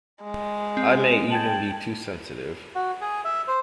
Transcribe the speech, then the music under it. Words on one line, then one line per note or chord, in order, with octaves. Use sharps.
I may even be too sensitive.
G#3
C4
G5 A5 G#6 F#7
F#4
G#4
E5
C5